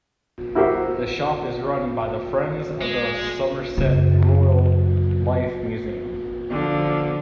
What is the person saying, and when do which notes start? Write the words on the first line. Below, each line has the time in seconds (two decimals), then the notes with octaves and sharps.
The shop is run by the Friends of the Somerset Rural Life Museum.
0.55 E4 F#4 G4 A#4 C5 E5
2.81 G#3
3.77 F#2 C#3
6.50 D3 F3